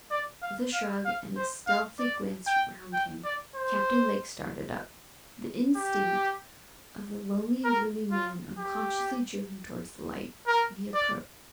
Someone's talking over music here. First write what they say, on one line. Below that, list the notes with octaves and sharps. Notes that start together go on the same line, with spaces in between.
With a shrug, and a stealthy glance round him, Captain Lake started up. The instinct of the lonely and gloomy man unconsciously drew him towards the light, and he approached.
D5
F5
F5
F5
C5
F5
D5
G5
G5
D5
C5
G4
A#4
F4
G4
A#4
D5